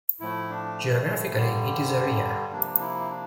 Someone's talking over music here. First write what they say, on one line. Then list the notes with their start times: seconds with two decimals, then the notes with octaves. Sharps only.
Geographically it is a ria.
0.20 A2 F3 A3 E4
0.50 D4
1.36 G2 D3 G3
2.52 C3 F3 A#3 D4
2.81 E4
3.10 D4